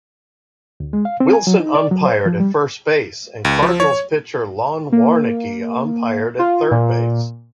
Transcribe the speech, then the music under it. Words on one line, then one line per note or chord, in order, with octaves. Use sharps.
Wilson umpired at first base, and Cardinals' pitcher Lon Warneke umpired at third base.
D2
G#3
F5
C4
G#5
F#3
D#4
D5
F#3
C5
F3
G3
C#2
F3
C#5
A#3
F4
A#2